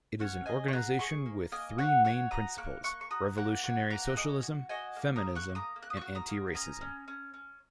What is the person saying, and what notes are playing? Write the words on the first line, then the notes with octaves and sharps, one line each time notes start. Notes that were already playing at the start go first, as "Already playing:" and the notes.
It is an organization with three main principles: revolutionary socialism, feminism, and anti-racism.
C#4 C#5 F#5
G#4 D#5 G#5
C#6
G#4 F#5 A#5
G#4 G#5 C#6
A#3
A#3 D#5 G#5
F#4 C#5 F#5
F#4 C#5 F#5
F#4 A#5 D#6
A#3 C#6 F#6
A#3 C#6 F#6
C#6
F#4 A#5 D#6
A#3 F#5 A#5
F#4 C#5 F#5
A#3 F#5 A#5
F#5
F#4 D#5 G#5
F#4
F#4 D#5 G#5
A#3
A#5 D#6
A#3
C#6 F#6
A#3
A#5 D#6
A#3
F#6
D#6
F#4 C#6 F#6
A#5 D#6
A#3
C#4 A#5 D#6
C#4
C#4
C#4